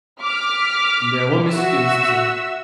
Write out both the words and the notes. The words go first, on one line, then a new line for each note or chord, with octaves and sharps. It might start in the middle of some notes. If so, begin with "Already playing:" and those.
Yeah, what music do you listen to?
D6 F6 B6
F#4 E5 E6